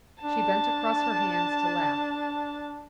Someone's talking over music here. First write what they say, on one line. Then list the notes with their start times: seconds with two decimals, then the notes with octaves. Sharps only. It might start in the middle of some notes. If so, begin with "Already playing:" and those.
She bent across her hands to laugh.
0.23 D4 A5